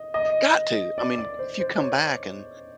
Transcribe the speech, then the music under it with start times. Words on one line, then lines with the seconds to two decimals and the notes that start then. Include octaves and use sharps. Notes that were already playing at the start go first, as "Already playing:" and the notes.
Got to. I mean, if you come back and,
Already playing: D#5
0.14 D#5
0.98 D5
1.18 D5
1.39 C5
1.60 C5
1.81 C#5